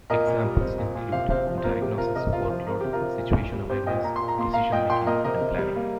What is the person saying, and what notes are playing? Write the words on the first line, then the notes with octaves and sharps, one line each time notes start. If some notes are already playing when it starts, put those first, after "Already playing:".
Examples include diagnosis, workload, situation awareness, decision making, and planning.
A#2 A#4 D#5
A#2
G3
C4
A#2
A#2
C3 C5 F5
C3 C5 F5
F3
C5
A#3 F4 A#4
C3 G4
C3 F4 A#4
C3 A#4 D#5
C3 F4 A#4
F3 F4
C4 A#4
C3 G4
F4 A#4
C3
A#2
A#2
G3
C4 G4 C5
A#2 D#5 G5
A#2 A#5
C6
A#2
A#5
A#3 C6
A#3 F5 A#5
A#2 D#5 G5
A#2 G5 C6
A#3 A#4 D#5
C3 A#4 D#5
C3
G3
A#3